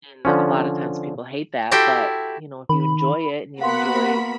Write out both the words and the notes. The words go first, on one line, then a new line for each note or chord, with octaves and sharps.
And a lot of times people hate that, but, you know, if you enjoy it, and you enjoy
D3 F3 C#4
E4 F#4 G4 A4 G5 C6
D#3 B5
A#3 B3 F#4 A#4 F5 F#5 B5 C6